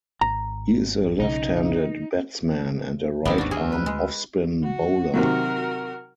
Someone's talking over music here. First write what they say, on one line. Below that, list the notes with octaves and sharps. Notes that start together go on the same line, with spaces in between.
He is a left-handed batsman and a right-arm offspin bowler.
G#1 A#5
B1 C#3 D#4
G#1 D#2 D#3 G3 B3 C4
D4 F#4
D2 G#4
B4
G#3
F#4
C3 D#3 F#3 F#4 A#4